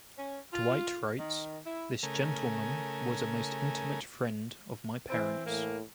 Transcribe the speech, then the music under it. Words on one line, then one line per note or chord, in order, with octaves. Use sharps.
Dwight writes; this gentleman was a most intimate friend of my parents.
C#4
F4
D#3
E4
C#3 A3 A#4 G#5
E3 C4 E4 C5
A2 A#3